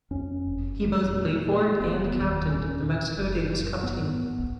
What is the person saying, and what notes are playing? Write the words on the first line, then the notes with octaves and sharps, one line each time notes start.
He both played for and captained the Mexico Davis Cup team.
F2 C#4
F#1
F2
A#2
A#2
F1 B3
D#2
A#2 C#4
A#2
F#1
F#2
G#2 B3
G#2